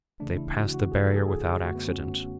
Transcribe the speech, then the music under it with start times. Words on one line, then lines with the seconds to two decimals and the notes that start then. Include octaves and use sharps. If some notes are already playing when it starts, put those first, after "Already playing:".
They passed the barrier without accident.
0.20 D2 C#3 E3 A3 D4
0.38 E4
0.56 F#4
0.74 F#4
0.92 G#4
1.04 A4
1.16 G#4
1.28 G#4
1.52 G#4
1.63 F#2 D3 A3 F#4
1.75 B3
1.88 C#4